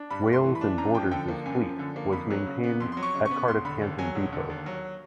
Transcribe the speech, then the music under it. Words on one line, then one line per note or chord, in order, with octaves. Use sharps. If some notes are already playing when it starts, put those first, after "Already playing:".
Wales and Borders's fleet was maintained at Cardiff Canton depot.
Already playing: D4
G2 B5
A3
C6
E3
B5
D4
F#2 A#5
F3 G5
D3 G5
A#3
F#2 G#5
F3
D3
A#3
F2 B5
F#3
C#3
B3
F2 C6
F#3 C6
C#6
C#3
C#6
B3
E1 C6
D3 B5
D#2
F#3 G#5
E1
D3
D#2
F#3